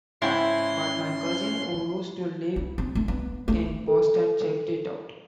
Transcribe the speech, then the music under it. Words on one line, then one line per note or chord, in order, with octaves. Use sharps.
But, my cousin, who used to live in Boston, checked it out.
G#2 C#3 C#4 E4 G5 C6
E4
C4
A3
B3
A3
A4